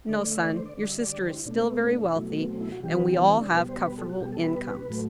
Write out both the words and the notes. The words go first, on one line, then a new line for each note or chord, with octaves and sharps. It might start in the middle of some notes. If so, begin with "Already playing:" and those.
"No, son; your sister is still very wealthy, and we all have comfortable incomes."
D3 A3 D5
D5
E5
D5
C5
D5
D3 G3 D5
E5
D5
D5
C5
E4
B2 A3 D4
C4
B3
C4
D4
D4
B2 F#3 A3 E4
B3
C4
E4
F#4
C3 E3 G3 G4
B4
G4
B3
C4
D4
B2 G3 B4
C5
B4
A4
F#4
B2 G3 G4
A4
B4
A2 F#3 A3